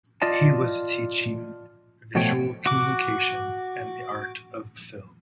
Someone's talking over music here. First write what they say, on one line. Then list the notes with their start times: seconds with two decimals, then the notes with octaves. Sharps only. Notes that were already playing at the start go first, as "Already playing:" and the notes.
He was teaching visual communication and the Art of Film.
0.22 F4 D5 D#5 A5
2.15 B2 F3 A3 C#5 G5
2.66 F#4 D6